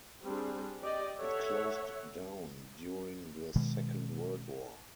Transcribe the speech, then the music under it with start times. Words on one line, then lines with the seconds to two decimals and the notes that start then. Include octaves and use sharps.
It closed down during the Second World War.
0.22 G3 C4 D4 G#4
0.79 G4 D5 D#5
1.18 A4 C#5 E5 F#5
3.56 B2 D#3 G#3